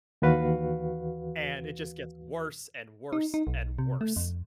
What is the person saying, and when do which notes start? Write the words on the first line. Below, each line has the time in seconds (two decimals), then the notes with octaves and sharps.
And it just gets worse and worse and worse.
0.22 D#2 E3 F#4 B4 F5
3.13 D#4
3.34 D#4
3.47 B1
3.79 C3
4.01 A3
4.16 F2